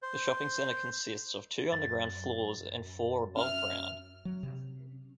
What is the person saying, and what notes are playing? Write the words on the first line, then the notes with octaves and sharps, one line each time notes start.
The shopping center consists of two underground floors and four above ground.
C5
F#2 A6
C#4 E5 F6
F#3
C3